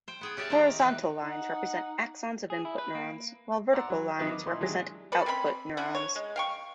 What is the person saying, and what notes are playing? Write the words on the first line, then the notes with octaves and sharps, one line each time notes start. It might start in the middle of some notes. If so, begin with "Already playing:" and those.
Horizontal lines represent axons of input neurons while vertical lines represent output neurons.
C5 G5
B3 G#4 G5
C#4 G4 G#4 D5 E5 A5
D#3 C5 E5 F5 G5 A#5
C3 E3 B4
D#4 F#5
G#4
E4
B4
A#3
D5 F#5 A#5 C6 E6
F#3
G#1 D#3 F#3 D#4 B4 E5
D6
A#2 D#4 E4 C6 D#6
E3 F#3 G#3 D4 G4
A4 B4 D5
C4 C#4 A#4 B5
D3 C#4 E4 F#5
C#5
G#3
F5 G5 C#6